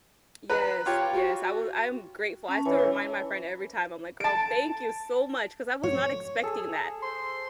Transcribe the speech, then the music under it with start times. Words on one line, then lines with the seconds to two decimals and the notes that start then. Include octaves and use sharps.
Yes, yes, I wa I'm grateful, I still remind my friend every time. I'm like, "Girl, thank you so much," 'cause I was not expecting that.
0.50 B4 A#5 F#6
0.86 F4 G4 C#5
1.14 F#4
2.48 C#4 A5
2.65 E3 C#5 G#5
2.79 E4 C#5
4.20 A5 D7
5.83 C#5
6.44 G#4 A4
7.03 C5 C6